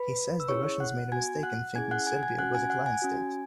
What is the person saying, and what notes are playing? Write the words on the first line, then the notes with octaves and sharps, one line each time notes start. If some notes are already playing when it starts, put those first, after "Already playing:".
He says the Russians made a mistake in thinking Serbia was a client state.
Already playing: B4 B5
E6
C#4 E4 G#4 C#5 C#6
F#5 F#6
B3 F#4 G#5 G#6
F#5 F#6
C#4 E4 G#4 G#5 G#6
F#5 F#6
G#5 G#6
G#5 G#6
C#4 F#4 F#5 F#6
G#5 G#6
F#5 F#6
G#5 G#6
C#4 F#4